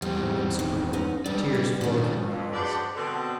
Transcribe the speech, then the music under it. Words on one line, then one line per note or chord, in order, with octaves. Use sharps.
Her lips quivered, tears flowed from her eyes.
E2 G3 C4
D#3
B3 C#4 D#4
G2 G3 G#3 D5
B3
G#2 D#3 F3 C#4 D4
F2
G#3 D4 F#4 B4 C5 D5
B2 D3 C4